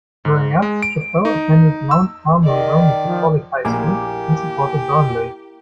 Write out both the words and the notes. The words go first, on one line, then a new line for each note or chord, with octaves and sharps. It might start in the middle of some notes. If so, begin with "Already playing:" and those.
Growing up, Chaplow attended Mount Carmel Roman Catholic High School and supported Burnley.
G#2
G#3
D7
D#4
E6
D#3 D5 D#5
F3
A#1 A#3 E4 G4 G#5 D6